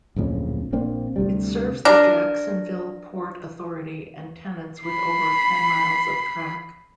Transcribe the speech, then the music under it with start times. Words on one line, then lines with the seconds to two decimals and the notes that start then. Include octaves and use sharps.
It serves the Jacksonville Port Authority and tenants with over ten miles of track.
0.16 D1 A#1 F2 C#4
0.72 A#1 A#3 C4 D4
1.16 D2 C3 G3
1.85 D4 A#4
4.83 B5 C7